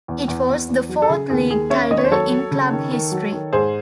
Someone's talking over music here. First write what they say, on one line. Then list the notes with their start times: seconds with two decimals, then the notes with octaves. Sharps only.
It was the fourth league title in club history.
0.08 E2
0.28 E2
0.49 E2
0.69 E2
0.89 F#3
1.02 A4
1.09 C#3 G#4
1.30 D#2 G#4
1.49 D#2 G#4
1.70 C#4 C#5 E5
1.90 D#2 D#5
1.98 C#5
2.04 C5
2.11 F#3 A4 C#5
2.31 F#3
2.51 C#3
2.71 D#3
2.91 D#3
3.12 F#3
3.32 D#3
3.53 G#2 G#4 C5